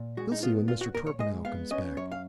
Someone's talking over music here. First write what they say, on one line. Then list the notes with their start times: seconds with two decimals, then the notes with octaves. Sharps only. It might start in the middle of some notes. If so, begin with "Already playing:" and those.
You'll see when Mr. Torpenhow comes back.'
Already playing: A#2
0.17 G#3 F#4
0.32 D#4
0.43 B3 F4
0.68 A#2 F4
0.81 F#4
0.94 A#2 A#4
1.07 C#5
1.19 G#3 D#5
1.45 B3 F5
1.71 C#4 D#5
1.97 F#2 C#5
2.12 F5